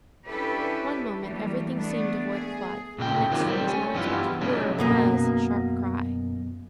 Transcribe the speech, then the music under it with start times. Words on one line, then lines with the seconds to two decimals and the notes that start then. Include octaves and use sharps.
One moment everything seemed devoid of life, the next there was an unexpected whir, buzz, and sharp cry.
0.25 C#4 D4 E4 G4 A4 B4
1.20 E3 F#3 G3 A3 A#3
1.74 G3 A3 B3 D4
2.34 G#4
2.98 A#2 C#3 G#4 G5
3.31 D#3 F#3 A#3 C4 F4 G4
3.47 G3 C4
3.68 C#4
3.94 G2 E3 G3 B3 F4
4.41 C3 F#3 G#3 A3 C#4 D4
4.79 F#2 B2 A#3